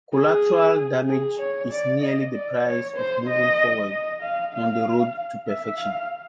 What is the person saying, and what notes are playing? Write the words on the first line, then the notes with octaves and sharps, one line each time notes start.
Collateral damage is merely the price of moving forward on the road to perfection.
G#4
G#4
C#5
D5
D#5
D5
C#5
C5
D#5
D#5
F5
F5
E5
F5